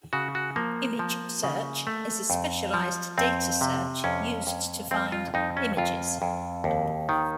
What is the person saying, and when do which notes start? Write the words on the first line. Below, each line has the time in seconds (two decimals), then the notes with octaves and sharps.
Image search is a specialized data search used to find images.
0.13 C#3 F#4
0.35 F#4
0.56 F3 A#3
0.99 F3
1.44 C#3
1.87 A3
2.30 F2
2.74 F3
3.18 F2 C4
3.61 C3
4.04 F2 C#4
4.47 F2
4.91 F2 C4
5.12 F4
5.34 F2 D#4
5.57 C#4
5.77 F2 F4
6.22 F2
6.64 D#2
7.09 D#3